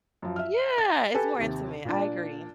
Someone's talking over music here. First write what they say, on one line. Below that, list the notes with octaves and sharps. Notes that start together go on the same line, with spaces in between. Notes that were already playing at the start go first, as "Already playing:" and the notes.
Yeah, it's more intimate, I agree.
F#2 F3
E5 F6
A6
G4 A4 B4 G#5
D#2 C3 G4
A#2 D4